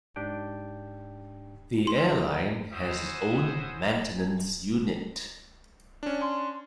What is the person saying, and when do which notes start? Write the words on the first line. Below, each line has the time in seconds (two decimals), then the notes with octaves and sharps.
The airline has its own maintenance unit.
0.16 G#2 D4 G4 G5
1.87 C6
2.73 C#4 E4 F#4 C5 E5 D#6
6.03 C#4 D4
6.22 C6